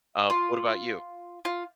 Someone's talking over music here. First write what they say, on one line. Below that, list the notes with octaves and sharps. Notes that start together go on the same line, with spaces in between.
Um, what about you?
F4
F4